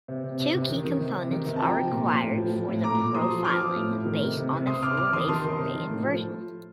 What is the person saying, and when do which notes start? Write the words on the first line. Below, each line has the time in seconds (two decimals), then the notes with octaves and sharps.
Two key-components are required for the profiling based on full-waveform inversion.
0.08 C3
0.24 C3
0.40 C3
0.55 C3
0.70 D#3
0.85 D#3
1.00 C3
1.16 C3
1.31 D#3
1.46 C3
1.56 A5
1.61 F3 G5 A#5
1.77 F3
1.92 A#2
2.07 F3
2.23 A2
2.37 F3
2.53 F3
2.68 A2
2.84 A#2 A#5 D6
2.99 A#2
3.15 F3 C6 D#6
3.30 F3
3.45 F3 D6 F6
3.61 F3
3.76 A2
3.90 A2
4.05 D#3
4.22 C3
4.37 C3
4.52 C3
4.67 C3 C6 D#6
4.82 C3 D6 F6
4.97 C3 D6 F6
5.13 D#3 C6 D#6
5.28 D#3 A5 C6
5.44 D#3
5.59 C3
5.74 D#3
5.89 A2
6.04 F3